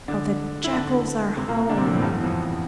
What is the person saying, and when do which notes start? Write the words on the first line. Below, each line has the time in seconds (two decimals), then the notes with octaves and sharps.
How the jackals are howling....
0.08 D3 D4
0.64 E4
0.73 D3 D4
1.37 C3 C4
1.48 A#2 A#3
1.69 D3 D4
1.77 C3 C4
1.86 A#2 A#3
1.94 A2 A3
2.02 G2 G3
2.12 E2 E3
2.23 F2 F3